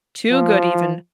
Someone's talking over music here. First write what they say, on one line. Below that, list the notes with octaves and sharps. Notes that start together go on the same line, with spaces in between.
too good, even.
F3